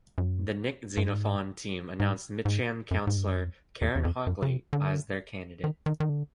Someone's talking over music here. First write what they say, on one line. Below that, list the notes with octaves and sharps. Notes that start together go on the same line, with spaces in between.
The Nick Xenophon Team announced Mitcham councillor Karen Hockley as their candidate.
F#2
G2
G#2
G#2
G#2
F#2
G#2
G2
F#2
F2
E2
E2
F2
F#2
C#3
C3
D3
D#3
D#3
D#3
D3